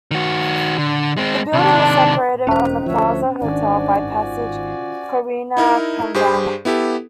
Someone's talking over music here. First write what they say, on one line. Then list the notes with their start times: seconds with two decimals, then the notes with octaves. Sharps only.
The building is separated from the Plaza Hotel by the passage Corina Kavanagh.
0.11 D#3 F#4
0.78 D3
1.17 G#3 C4
1.53 C3 D#3 D4
2.47 E1 F2 C#4 D#4 C5
2.86 D2 F3 A4 C#5 E5
3.42 G#1 D#3 D4 F#4 D5 G#5
4.14 F4
5.57 D#4 E4 A#4
6.14 G2 G4 G#4 C5
6.65 B3 E4 G4 A4